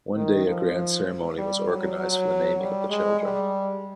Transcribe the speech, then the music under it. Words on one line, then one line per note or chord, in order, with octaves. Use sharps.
One day, a grand ceremony was organized for the naming of the children.
D#3
F3
G3
F#3
F#3
G3
G#3
G3